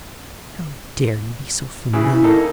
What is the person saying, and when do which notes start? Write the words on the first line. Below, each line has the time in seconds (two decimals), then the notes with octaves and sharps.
How dare you be so familiar!
1.93 C#3 E3
2.10 E4
2.24 A#3 D#4 A4